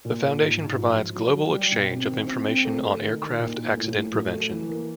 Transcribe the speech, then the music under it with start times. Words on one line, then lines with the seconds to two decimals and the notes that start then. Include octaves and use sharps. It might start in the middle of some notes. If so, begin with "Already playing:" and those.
The Foundation provides global exchange of information on aircraft accident prevention.
0.05 A#2
0.23 A#2
0.42 G#2
0.60 G#2
0.78 F3
0.98 F3
1.15 F#3
1.35 F#3
1.53 G3
1.72 B2
1.91 C4
2.10 D#3
2.27 C4
2.47 C4
2.65 A3
2.84 A3
3.02 D#3
3.21 D#3
3.39 A#2
3.58 A#2
3.77 A2
3.95 A2
4.14 F#3
4.33 A3
4.51 E3
4.69 A#3